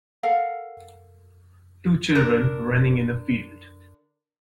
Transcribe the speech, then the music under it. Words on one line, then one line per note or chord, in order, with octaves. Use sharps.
Two children running in a field.
A4 A#4 F5 F#5
D3 D4 A#4